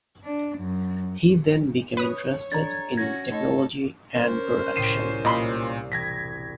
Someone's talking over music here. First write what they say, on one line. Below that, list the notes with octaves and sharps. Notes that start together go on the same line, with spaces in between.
He then became interested in technology and production.
D4
F#2
B4 C#5 D#6
D4 A4 D5 A#5 G#6 A6
C#4 F#4 G#6 A#6
A3 D#4 A4 C#5 D#5
C#4 A#4 C5
C2 A2 C3 C7 D#7 E7
A#2 D#5 B5 C6
E1 G#6 A#6 B6